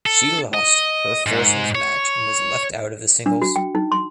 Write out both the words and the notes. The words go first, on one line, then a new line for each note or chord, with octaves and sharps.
She lost her foursomes match and was left out of the singles.
A4
D#5
G#2
C#5
D4
F#4
G5
D#4
C6